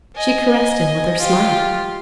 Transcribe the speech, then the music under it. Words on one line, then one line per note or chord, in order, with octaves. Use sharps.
She caressed him with her smile.
D#5 G#5
F4 G4